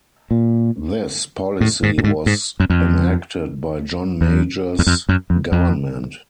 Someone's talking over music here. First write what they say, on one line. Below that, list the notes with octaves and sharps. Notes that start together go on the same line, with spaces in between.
This policy was enacted by John Major's government.
A#2
A2
G#2
A2
G#2
G#2
F#2
F2
E2
E2
F2
F#2
F2
F2